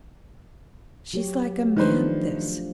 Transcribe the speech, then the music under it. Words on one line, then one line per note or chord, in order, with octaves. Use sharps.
She's like Amanthis!
F#3 G4 C#5
D#3 F3 A3 D4 B4 C5